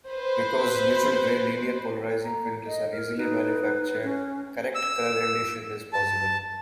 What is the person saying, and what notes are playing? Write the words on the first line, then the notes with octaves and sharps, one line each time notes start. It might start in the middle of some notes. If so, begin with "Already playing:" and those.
Because neutral-gray linear-polarizing filters are easily manufactured, correct color rendition is possible.
B4 C5
A#5
D#5
A#4
D#4 B4
C#4
E6
A5